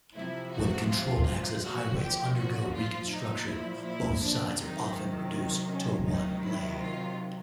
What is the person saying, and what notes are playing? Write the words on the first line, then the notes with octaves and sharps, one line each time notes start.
When controlled-access highways undergo reconstruction, both sides are often reduced to one lane.
C3 F3 E4
F#4
F4
A#2 F3 F#4
G4
F#4
F4
A#2 F3 D#4
E4
E4
D4
C3 D#3 F#3 D#4
C#4
C3 D#3 F#3 D#4
E4
F4